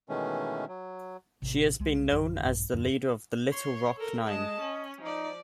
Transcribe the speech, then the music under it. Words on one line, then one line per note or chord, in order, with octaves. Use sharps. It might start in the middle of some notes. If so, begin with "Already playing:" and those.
She has been known as the leader of the Little Rock Nine.
B2 D#3 E3 G#3 A3 C#4
F#3
A1 C3
C2 G#3
A#1 F#2 D3 E3
A#1 G2
D#1 F#2 D3
C#5 C6
A4 A#4
G#3 D#5 A5
C#4
F3 D#4 D5